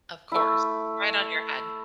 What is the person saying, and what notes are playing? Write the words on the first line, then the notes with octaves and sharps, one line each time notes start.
Of course. Right on your head.
A3 E4